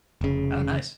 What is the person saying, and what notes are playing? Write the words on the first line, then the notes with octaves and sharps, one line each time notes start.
Oh, nice.
F1 C#3